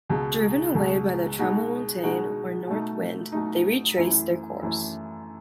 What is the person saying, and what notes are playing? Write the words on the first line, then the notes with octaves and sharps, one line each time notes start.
Driven away by the "Tramontane" or north wind, they retraced their course.
C#2 B2 G#3
C#2 B2 G#3
B2 G#3 D#4 F#4
B2 G#3 D#4 F#4
B2 A3 D#4
B2 A3 D#4
F#2 E3 A3 E4
F#2 E3 A3 E4